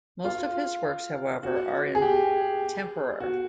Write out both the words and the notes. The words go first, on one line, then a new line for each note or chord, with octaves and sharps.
Most of his works, however, are in tempera.
F4
F#4
G#4
G4
F#4